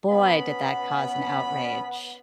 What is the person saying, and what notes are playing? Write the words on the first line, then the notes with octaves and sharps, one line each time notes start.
Boy, did that cause an outrage.
B2 B3 C#4 B5